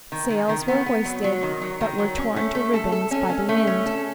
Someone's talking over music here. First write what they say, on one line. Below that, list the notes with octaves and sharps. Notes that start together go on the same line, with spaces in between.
Sails were hoisted, but were torn to ribbons by the wind.
D#3
D#3
D#3
B3
B3
F#3
F#3
D#3
F#3
D#3
F#3
C#4
A3
A3
A4
A4
C#4
C#4
A3
C#4
A4